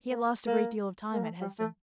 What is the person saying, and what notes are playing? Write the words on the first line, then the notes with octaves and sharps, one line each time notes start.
He had lost a great deal of time at Hesdin.
A#3
A#3
A#3
A3
G3
A3